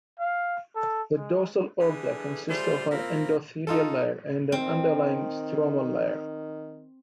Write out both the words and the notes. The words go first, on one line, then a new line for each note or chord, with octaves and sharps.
The dorsal aorta consists of an endothelial layer and an underlying stromal layer.
F5
A4
G#3
D3 E3 G3 G#4 A4
G3 A3 F4 G#4 C5
A#3 C4 E4 F4 A#4
D#4 F4 A4
D#3 C4